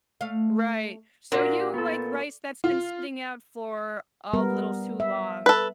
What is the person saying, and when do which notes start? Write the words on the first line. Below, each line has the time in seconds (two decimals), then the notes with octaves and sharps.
Right. So you like rice that's been sitting out for a little too long.
0.21 A3 F5
1.32 A#2 D4 F#4
1.74 B3 A4
2.64 F4
4.33 G3 B3 A#4
5.00 E5
5.46 A4 B4